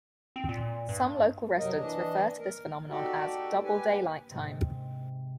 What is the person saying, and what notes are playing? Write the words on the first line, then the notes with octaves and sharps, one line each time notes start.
Some local residents refer to this phenomenon as "double daylight time".
C4
A#2
G2
F#2 C3 F#3 D#4 A#4 D#5
E3 D4 D#5
A#4
D#4 F#4 G4 A4 D5
G4 B4 G#5
G#2 C3